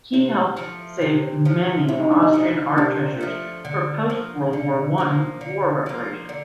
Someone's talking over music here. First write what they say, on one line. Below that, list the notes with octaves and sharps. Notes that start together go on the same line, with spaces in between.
He helped save many Austrian art treasures for post-World War One war reparation.
C3 E4
F3 A3
C3
F3 A3
C3 E4
D#4
D4
D#4
F3 A3
C3 D4
F3 A3
D3
F3 A#3
D3 D4
F3 A#3
D3
F3 A#3
D3